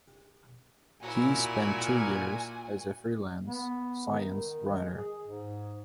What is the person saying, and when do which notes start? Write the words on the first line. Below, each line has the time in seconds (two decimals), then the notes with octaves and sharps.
He spent two years as a freelance science writer.
1.02 A#2 E4 F#4 A#4 G#5
3.49 B3
4.10 D#3
4.69 G#3
4.97 G#4
5.27 G#2